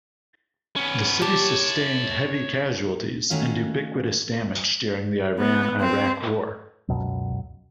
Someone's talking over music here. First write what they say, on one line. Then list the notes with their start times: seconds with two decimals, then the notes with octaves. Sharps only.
The city sustained heavy casualties and ubiquitous damage during the Iran-Iraq war.
0.76 B3 C#4
1.22 G4 C#5 A5
3.30 D#3 A3 C#4 F#4 F5
5.38 B3
5.81 C4
6.88 C#2 F#2 B2 F#3